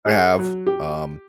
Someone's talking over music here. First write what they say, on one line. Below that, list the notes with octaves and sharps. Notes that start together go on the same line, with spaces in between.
I have, um,
G#4
F#3
G4